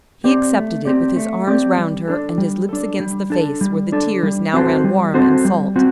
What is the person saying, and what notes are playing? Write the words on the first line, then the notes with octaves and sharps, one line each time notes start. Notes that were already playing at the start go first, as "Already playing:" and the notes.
He accepted it, with his arms round her and his lips against the face where the tears now ran warm and salt.
C4 G4 D5
A3
C4 G4 D5
A3
C4 G4 D5
G3
D4 A4
G3
D4 A4
G3
D4 A4
G3
D4 A4
G3
C4 F#4 A4 C5
G3
C4 F#4 A4 C5
G3
C4 F#4